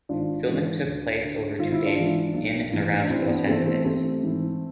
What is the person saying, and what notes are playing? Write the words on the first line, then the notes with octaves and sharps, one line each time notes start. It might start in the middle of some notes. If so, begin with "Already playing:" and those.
Filming took place over two days in and around Los Angeles.
G#1 D4 F4
G#2 E3
D2
D3
G#1 F4
E4
D4 F4
G#2 E3
B1
A2 E3
D4
A1 C4 E4
B3 D4
A2 E3 A3 C4
A3 C4
A1 A3 C4
G#2 E3